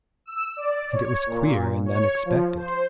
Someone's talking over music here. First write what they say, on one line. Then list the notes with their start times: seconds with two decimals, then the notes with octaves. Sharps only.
And it was queer and unexpected.
0.26 E6
0.56 D5
0.92 C#5
1.26 A#2
1.86 C#5
2.25 F3
2.57 C5